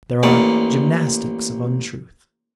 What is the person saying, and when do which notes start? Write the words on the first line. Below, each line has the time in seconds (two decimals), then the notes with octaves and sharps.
There are gymnastics of untruth.
0.23 A1 A#2 D5